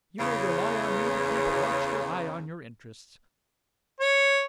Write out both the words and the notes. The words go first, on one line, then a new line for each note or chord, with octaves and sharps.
You may rely on me to keep a watchful eye on your interests.
E2 C#3
C#5